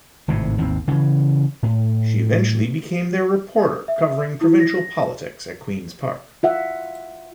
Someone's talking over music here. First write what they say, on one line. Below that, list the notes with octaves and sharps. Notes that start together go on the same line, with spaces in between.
She eventually became their reporter covering provincial politics at Queen's Park.
G#1 A2 C3
G#1 D#2 B2 C4
C#3 E3
A2
E5
E4
A#6
F4 E5 F#5